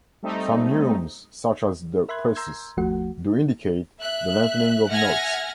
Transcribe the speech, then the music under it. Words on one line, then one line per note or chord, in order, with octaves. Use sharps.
Some neumes, such as the "pressus", do indicate the lengthening of notes.
G3 A3 C4 D#4
A#4 E5 B5 C6 F#6 G#6
A#5 C6 E6 G6 G#6
G1 D#2 F3 A3 F#4 F#5
E5 F#6
E5 F#5 G#5 F6 G#6 A#6